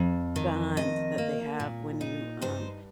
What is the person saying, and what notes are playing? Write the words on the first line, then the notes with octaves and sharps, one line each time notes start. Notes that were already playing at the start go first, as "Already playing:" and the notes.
bond that they have when you um,
Already playing: F2
D#3
F2 D#5
A#3
A#2
D#4
G2 C5